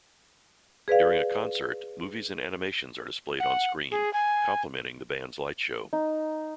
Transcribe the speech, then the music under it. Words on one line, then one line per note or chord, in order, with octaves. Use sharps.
During a concert, movies and animations are displayed on-screen, complementing the band's light show.
G#4 B4 D5 F5
F#5
G#4
G#5
D#4